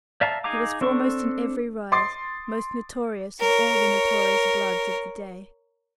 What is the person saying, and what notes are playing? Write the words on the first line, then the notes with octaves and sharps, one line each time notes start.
He was foremost in every riot, most notorious of all the notorious "bloods" of the day.
D5 E5 F5 A5 A#5
D#4 G#4 F5 A#5 D6
C4 D4 A4 C#6
C6 D6 D#6 A6 C7
A#4 C#5